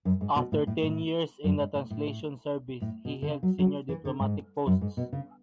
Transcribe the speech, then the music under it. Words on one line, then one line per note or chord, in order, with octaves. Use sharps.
After ten years in the translation service, he held senior diplomatic posts.
F#2
G#2
B2
A2
A2
A2
F#2
G#2
A2
A2
A2
B2
D3
C#3
F#3
F#3
E3
D3
G#2
F#2
G#2
B2
C#3